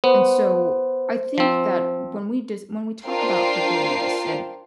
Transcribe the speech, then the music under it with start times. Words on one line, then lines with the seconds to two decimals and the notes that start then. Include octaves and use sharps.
And so, I think that when we dis when we talk about forgiveness and
0.04 B3 C5
1.38 F3 C4
3.05 D4 F4 A#4 C5 G5 C7